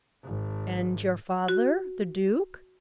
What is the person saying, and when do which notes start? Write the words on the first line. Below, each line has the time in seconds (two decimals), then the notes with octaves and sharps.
"And your father--the Duke?"
0.23 G#1
1.48 F#4